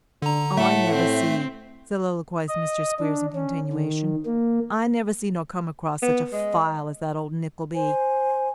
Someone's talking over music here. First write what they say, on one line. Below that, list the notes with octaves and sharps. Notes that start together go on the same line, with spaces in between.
'I never see,' soliloquised Mr Squeers in continuation, 'I never see nor come across such a file as that old Nickleby.
D3 D4 A#5
A2 A3 A4 E5 F#5
C4
D#5
D4
C#4
D#3
A#3
B3
G#3 D#5
C5 G#5